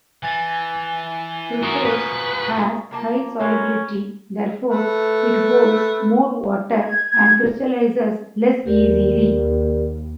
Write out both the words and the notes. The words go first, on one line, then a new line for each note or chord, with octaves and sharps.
Fructose has high solubility, therefore it holds more water and crystallizes less easily.
E3 G#5 A6
F#4 A#4 A#5 C#6 D#6
B2 F3 B4
F3 A#3 A5
B2 G#3 C#4 A#4
A3 B4
G#6
G#6
D#2 G4 A#4 D5